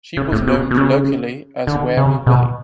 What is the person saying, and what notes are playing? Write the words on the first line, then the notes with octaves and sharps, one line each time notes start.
She was known colloquially as "Weary Willy".
C#3
A2
B2
B2
C#3
D3
C#3
B2